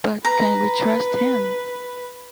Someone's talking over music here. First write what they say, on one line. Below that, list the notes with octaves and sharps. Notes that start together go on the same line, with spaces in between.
But can we trust him?
B4 A#5